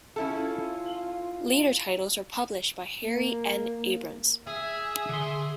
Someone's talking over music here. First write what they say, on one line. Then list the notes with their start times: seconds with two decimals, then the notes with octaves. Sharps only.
Later titles were published by Harry N. Abrams.
0.16 C#4 E4 F4 A4
3.03 A#3
4.47 G#4 E5
5.09 D3 C6